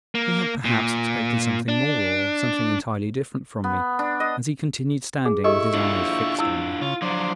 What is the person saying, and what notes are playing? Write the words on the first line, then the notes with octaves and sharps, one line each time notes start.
He had perhaps expected something more or something entirely different from me, as he continued standing with his eyes fixed on me.
A#3
A#2
D4
B3
D4
D#5
G#4
E4 G4 A4 D#5 C#6
D4 F4
E4 E6
C#3 F4
F3 F#3 D4 C5